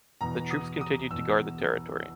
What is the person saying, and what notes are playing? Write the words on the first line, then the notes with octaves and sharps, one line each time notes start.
The troops continued to guard the territory.
E2 B2 A#5
D#6
D#6
E2 B2 E6